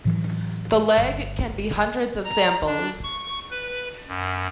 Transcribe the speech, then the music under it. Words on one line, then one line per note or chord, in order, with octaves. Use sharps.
The lag can be hundreds of samples.
A2 E3 F#3
G1
A#5
D4
C#6
B4
F#2